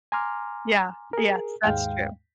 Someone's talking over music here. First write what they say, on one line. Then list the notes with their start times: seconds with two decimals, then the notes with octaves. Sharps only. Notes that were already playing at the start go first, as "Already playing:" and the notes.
Yeah, yes, that's true.
0.12 G#5 A#5 C6 D6 F6
1.13 G#4 A#4
1.64 D#2 G#2 G#3 F5 G5